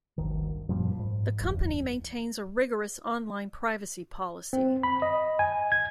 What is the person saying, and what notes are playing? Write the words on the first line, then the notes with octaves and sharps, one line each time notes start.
The company maintains a rigorous online privacy policy.
G1 D2 D#3
F#2 A#2 F3 G3
G#2
F#1 E2
C4
B5
D#5
G#5
G#6